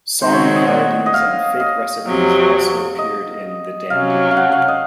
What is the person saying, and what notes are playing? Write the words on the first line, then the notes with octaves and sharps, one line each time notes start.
Song parodies and fake recipes also appeared in "The Dandy".
D#3 G#3 C4 D#4 F#4 C5
C#5
C#5
D#5
F#5
D#5
F5
D#5
F2 C3 F#3
D#5
C3 F#3 C#4 F5
F5
F#5
F5
D#5